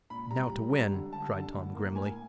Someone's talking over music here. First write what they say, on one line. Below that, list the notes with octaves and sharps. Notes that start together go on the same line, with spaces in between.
"Now to win!" cried Tom, grimly.
A#2 B5
G3 A#5
G3
G3
D3
G3 A5
D3
A2
A#3
A2 G#5